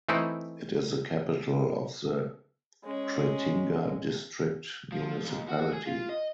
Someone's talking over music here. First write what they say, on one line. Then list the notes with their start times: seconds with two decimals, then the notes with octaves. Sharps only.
It is the capital of the Kretinga district municipality.
0.09 E3 A3 C4 D#4 E4
2.84 G#3 C#4
4.92 F3
5.25 D#2
5.49 F#4
5.73 G#4
5.87 F4
6.09 D#5